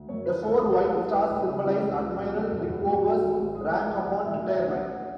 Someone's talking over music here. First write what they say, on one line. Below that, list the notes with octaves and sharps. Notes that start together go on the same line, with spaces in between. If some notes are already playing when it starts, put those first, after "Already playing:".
The four white stars symbolize Admiral Rickover's rank upon retirement.
Already playing: D2
F#2 C#5
E3 B4
G#1 A4
G#1 G#4
A2 A4
E3
A1 B4
A1
C#3
E3
C#2
C#2
B2
F#3
E2
E2
G#2 F#4
F#3
G#1
G#1
A2 G#4
E3 E5
F#5
B1
D5
B1
A2 E5
F#3
E5
A1
F#5
A1